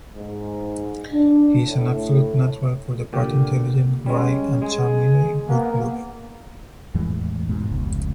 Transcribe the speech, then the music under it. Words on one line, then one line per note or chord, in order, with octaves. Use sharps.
He's an absolute natural for the part-intelligent, wry, and charmingly good looking.
G#2
D4
A2
A#2 D3 G4
G3 G#3 C#4
G#3 G#4
A#3 B3
E2 A2 E3 G#3
G#2 B2
F1 C#2